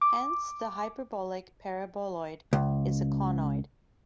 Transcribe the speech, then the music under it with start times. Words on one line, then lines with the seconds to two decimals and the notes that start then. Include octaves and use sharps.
Hence the hyperbolic paraboloid is a conoid.
0.01 D6
2.53 C#2